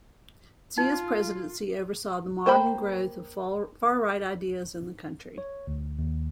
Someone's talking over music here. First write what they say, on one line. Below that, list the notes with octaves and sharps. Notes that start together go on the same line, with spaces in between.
Zia's presidency oversaw the modern growth of far-right ideas in the country.
D#4 F4
A#3 C5 G5 B5
C#5
D2
D#2